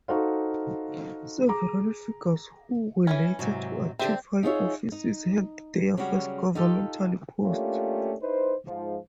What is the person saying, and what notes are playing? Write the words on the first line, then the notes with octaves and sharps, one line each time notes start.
Several figures who were later to achieve high offices held their first governmental posts.
D#4 F#4 A4 C5 F5
G#4 A#5 D6
E3 F3 C#4
G#2 C3 F#3
D3 C4 G4 E5
D#4 F4 G#4 A#4 C#5 E5
D#4
C#3 F#3 G3 F#4
D#4 F4 G4 A4
A3 A#3 C#4 D4 F4 G4
D#4 E4 B4 C5
G#2 F3